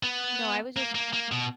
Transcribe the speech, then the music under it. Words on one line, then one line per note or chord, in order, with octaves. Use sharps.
No, I was just
B3
A#3
A#3
A#3
B2